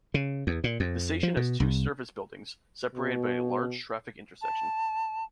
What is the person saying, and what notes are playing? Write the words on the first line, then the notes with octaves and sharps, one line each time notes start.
The station has two surface buildings, separated by a large traffic intersection.
C#3
E2
A#2
F2
F3
B2
C2
B2
A5